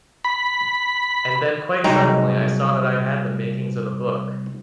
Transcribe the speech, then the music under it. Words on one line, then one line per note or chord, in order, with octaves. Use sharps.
And then, quite suddenly, I saw that I had the makings of a book.
B5
C2 F#3 G#3 D#4 G5 A#5